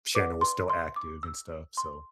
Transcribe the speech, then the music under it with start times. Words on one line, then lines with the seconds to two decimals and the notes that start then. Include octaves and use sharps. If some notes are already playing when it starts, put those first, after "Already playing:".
channel was still active and stuff. So,
0.15 B4 D5 F#5 D6
0.41 C6
0.70 C6
0.96 D6
1.23 E6
1.77 C6